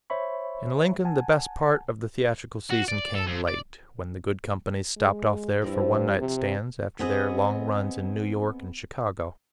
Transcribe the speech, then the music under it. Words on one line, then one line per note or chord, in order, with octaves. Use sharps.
IN Lincoln the best part of the theatrical season came late, when the good companies stopped off there for one-night stands, after their long runs in New York and Chicago.
C5 C#5 E5 B5 C#6
F#5 G#5 A5
F#4
D5
A4
F2
D5
G#3
G2 F3 C4 E4
C3
B3 C4 G#4 D#5